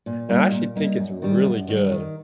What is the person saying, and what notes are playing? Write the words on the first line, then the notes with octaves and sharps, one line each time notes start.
and I actually think it's really good,
A#2
G3 A#3 D#4
A#2
G3 A#3 D#4
F#2
D#3 G3
F#2
D#3 G3
D#3